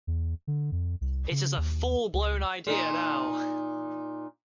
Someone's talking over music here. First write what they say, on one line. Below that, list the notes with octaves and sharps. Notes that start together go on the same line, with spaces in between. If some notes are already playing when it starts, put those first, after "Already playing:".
It is a full blown idea now.
E2
D3
F2
C2
C#3
D#2
C#2
A#2 D#4